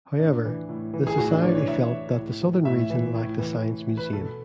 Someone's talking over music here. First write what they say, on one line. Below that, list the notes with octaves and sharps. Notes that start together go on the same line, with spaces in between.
However, the society felt that the southern region lacked a science museum.
A2 D4
E3
A2
E3
G#4
A2 F#4
D4
E3 C#5
C#5
A2 E5
E3
A2
E3
A2 E5
E3
A2
E3
A2
E3
B4
B2 A4